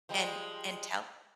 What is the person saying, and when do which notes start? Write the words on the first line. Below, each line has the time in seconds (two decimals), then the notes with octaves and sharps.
and and tell
0.09 F3 G3 G#3